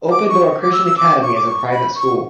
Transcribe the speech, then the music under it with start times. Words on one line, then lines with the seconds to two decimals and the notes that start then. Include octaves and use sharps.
Open Door Christian Academy is a private school.
0.11 D6
0.29 C#6
0.63 D6
0.73 E6
0.86 E6
0.97 D6
1.22 C#6
1.35 D6
1.46 C#6
1.71 B5
1.96 C#6